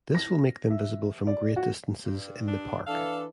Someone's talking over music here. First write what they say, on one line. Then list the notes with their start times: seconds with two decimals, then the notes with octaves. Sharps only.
This will make them visible from great distances in the park.
0.15 A#6
0.70 E5
1.27 D5
1.56 F#4
2.04 G2
2.48 D4
2.87 E3 D4 A4 F5